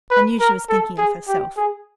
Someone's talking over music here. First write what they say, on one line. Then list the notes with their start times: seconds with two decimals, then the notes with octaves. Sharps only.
I knew she was thinking of herself.
0.11 B4
0.40 A#4
0.69 A4
0.98 G#4
1.28 G4
1.57 G#4